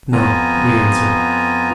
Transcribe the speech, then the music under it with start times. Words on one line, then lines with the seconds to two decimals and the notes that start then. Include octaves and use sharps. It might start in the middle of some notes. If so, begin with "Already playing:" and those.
"No," we answered.
0.13 F2 B3 F4 G#5 A#5